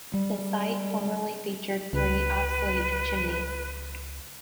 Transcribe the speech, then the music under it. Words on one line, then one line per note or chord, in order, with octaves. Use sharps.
The site formerly featured three obsolete chimneys.
G3
C#2 B4